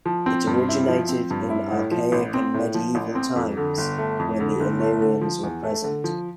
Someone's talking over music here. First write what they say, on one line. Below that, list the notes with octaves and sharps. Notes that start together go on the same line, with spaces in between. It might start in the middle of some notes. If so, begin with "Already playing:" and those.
It originated in Archaic and Medieval times, when the Illyrians were present.
F3
C4
G2
E4
F3
C4
G2
E4
A2
F3
A1
C4
A2
F3
A1
C4
F2
D3
G1
A3
F2
D3
G1
A3
D3
F3
E2
A3
D3
F3